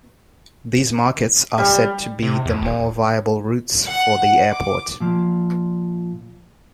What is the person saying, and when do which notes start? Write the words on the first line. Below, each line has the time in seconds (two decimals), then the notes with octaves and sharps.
These markets are said to be the more viable routes for the airport.
1.58 G3
2.23 C3
2.46 E2
2.62 D#1
3.85 F#5
4.51 D6
5.00 A#2 F3